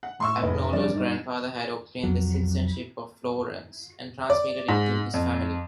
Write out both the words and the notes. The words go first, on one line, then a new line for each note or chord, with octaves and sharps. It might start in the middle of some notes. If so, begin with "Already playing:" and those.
Agnolo's grandfather had obtained the citizenship of Florence and transmitted it to his family.
F#5
A2 C6 C#6 E6
F1 B4
F2 G3 D4 A#4 D5
G2 D#4
B1 F2 F#3
D5
G#2
F2